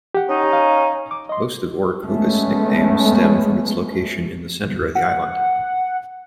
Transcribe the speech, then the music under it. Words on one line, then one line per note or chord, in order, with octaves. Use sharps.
Most of Orocovis nicknames stem from its location in the center of the island.
G4 F#5
C#4 D#4
F5
D6
D#5 C6
G#3 A3 B3 C#4
F#5